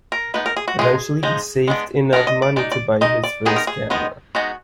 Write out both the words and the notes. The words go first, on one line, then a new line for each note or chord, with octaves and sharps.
Eventually, he saved enough money to buy his first camera.
A#4
G#3 B3 D#4 B4
A#4
G#4
F#4
F3 G#3 D#4 G#4
F3 G#3 D#4
G#3 B3 D4
G#3 B3 D4 A#4
D#5
D5
G#3 D#4 D5
D5
G#3 D#4 D#5
D5
D#3 G#3 B3 D#4 G#4
A#4
G#4
D#3 G#3 B3 D#4
G#3 B3 D#4 F#4